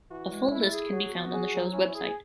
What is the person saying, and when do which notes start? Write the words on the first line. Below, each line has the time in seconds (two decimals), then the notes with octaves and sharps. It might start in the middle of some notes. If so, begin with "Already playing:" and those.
A full list can be found on the show's website.
0.11 E3 F#4
0.31 G#3
0.51 A3 E4
0.72 G#4
0.92 F#3 F#4
1.13 B3
1.34 G#4
1.54 F#3
1.74 C#4 E4
1.94 G#4